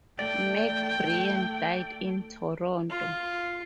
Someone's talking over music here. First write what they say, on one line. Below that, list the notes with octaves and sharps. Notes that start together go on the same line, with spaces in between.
MacBrien died in Toronto.
A3 D5 G5
F4